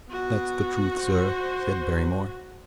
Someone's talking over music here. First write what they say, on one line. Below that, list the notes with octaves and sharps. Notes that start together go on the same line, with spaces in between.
"That's the truth, sir," said Barrymore.
B3 F#4
C5